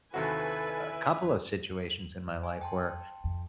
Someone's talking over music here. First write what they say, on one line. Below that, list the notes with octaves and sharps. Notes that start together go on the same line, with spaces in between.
a a couple of situations in my life where
D#2 C3 E4 F#4 A4 B4 G#5
G#5
G5 A5 C6
F2